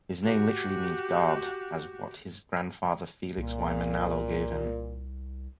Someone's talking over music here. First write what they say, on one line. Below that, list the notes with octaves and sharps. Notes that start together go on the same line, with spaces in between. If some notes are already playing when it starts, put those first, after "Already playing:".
His name literally means "guard" as what his grandfather Felix Y. Manalo gave him.
F#4 G4
C2 A#2